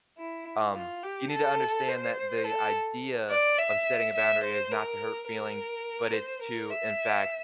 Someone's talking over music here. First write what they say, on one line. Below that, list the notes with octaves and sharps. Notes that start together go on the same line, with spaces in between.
um, you need to understand that the idea of setting a boundary is not to hurt feelings, but, it's to, in fact
E4
F4
G4
A4
C5
A4
D5
E5
E5
C5
A#4
A#4
C5
A#4
E5